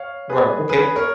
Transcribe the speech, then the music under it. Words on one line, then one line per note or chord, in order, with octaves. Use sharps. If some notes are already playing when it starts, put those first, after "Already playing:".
Right, okay,
Already playing: C#5 F5
G#4 B4
G#4 B4
A#4 C#5